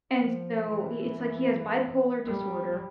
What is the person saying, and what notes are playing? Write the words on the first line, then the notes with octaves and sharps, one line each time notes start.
and so i it's like he has bipolar disorder,
F3
E3
G3